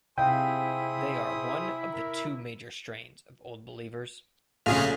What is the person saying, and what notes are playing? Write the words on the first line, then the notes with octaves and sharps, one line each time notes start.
They are one of the two major strains of Old Believers.
C3 E4 G#4 C5 D#5 F5 G5 D#6
A#4
A#1 C#3 A3 C#4 F4 G#4 F6